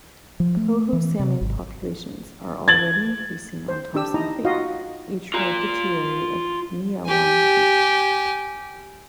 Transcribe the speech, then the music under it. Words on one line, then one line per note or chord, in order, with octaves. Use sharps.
Coho salmon populations are already increasing on Thompson Creek, a tributary of Neawanna Creek.
F3
A3
E3
C3
G#1
G#6 A6 F#7
C5
D4 G4 E6
D#4 E4 D#5 A#5
D#4 F4 F#4 D#5 F5
F4 A#5
G4 G#5